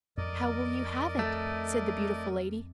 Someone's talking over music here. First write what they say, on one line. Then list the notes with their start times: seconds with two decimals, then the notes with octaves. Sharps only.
"How will you have it?" said the beautiful lady.
0.18 F2 A#4 D5 D#5
1.19 A3